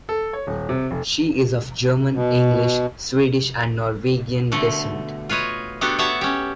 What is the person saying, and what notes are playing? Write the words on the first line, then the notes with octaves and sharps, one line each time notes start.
She is of German, English, Swedish, and Norwegian descent.
A4
C#5
D#1
C3
F1
B2
B2 D3 A3
F4 B4 C#5 D#5
B3 D4 F#4 G4 A4
B3 F#4 C#5 E5 F#5 A5
C#4 G4